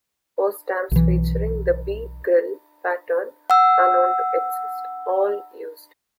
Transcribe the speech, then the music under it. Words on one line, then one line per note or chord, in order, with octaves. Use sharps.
Four stamps featuring the "B grill" pattern are known to exist, all used.
B1 E3
F#5 E6